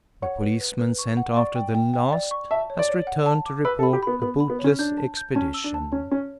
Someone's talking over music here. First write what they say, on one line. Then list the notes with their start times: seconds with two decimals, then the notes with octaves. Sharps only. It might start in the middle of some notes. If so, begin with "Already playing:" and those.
The policeman sent after the last has returned to report a bootless expedition.
0.22 C#5 F#5
0.41 B4
0.61 B4
0.79 B4
0.98 C#6
1.17 F#5
1.37 D5 C#6
1.55 G5
1.75 G5
1.94 G5
2.13 D5
2.31 C#6
2.51 E5 A5
2.70 C#5
2.79 D5
2.89 C#5
3.07 F#5
3.26 A5
3.46 D6
3.65 B4 E6
3.79 A4
3.83 B5
3.93 G4
4.03 B3 B5
4.22 B3 B5
4.40 B5
4.50 B3
4.59 C#5
4.64 C#4
4.79 D4 G6
4.98 A5
5.17 G6
5.35 C#4 A5
5.54 E6
5.64 D4
5.74 A5
5.92 C#4 C#5
6.11 C#4 C#5